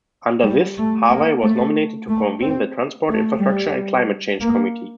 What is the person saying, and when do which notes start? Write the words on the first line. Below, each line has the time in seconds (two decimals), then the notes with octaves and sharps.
Under this, Harvie was nominated to convene the Transport, Infrastructure and Climate Change Committee.
0.43 G3
0.77 A3
1.09 A#3
1.43 A3
2.09 A3
2.42 C4
3.08 A3
3.41 G3
4.41 A#3